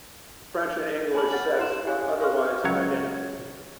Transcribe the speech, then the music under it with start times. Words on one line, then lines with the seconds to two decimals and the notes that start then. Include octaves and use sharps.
The French and English sets are otherwise identical.
1.14 C#5 G#5 A5 B5 F6 F#7
1.31 F#5 A6 F#7
1.58 E4 G4 C6 E7
1.87 G4 C#5 F5 G#5 F#6
2.21 F5 G#5 C6 C#6 F6
2.64 C#2 F#3 C#5